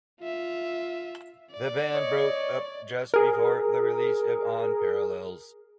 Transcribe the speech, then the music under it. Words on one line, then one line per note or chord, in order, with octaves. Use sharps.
The band broke up just before the release of On Parallels.
F4 E5
D5
C#5 D#5
G#4 A#4